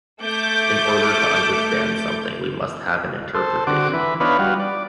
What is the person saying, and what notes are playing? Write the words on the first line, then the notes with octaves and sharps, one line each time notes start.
In order to understand something, we must have an interpretation.
A3 D6 G6
A4 C5
D3 C4 F#4 D6
E3 B4
B3 D4 D#4 F4 B4 C#5
G3 F4 F#4
D5